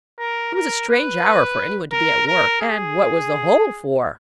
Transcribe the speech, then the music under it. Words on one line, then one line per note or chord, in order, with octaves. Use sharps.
It was a strange hour for any one to be at work, and what was the hole for?
A#4
A#4
B4
A#4
A#4
G#4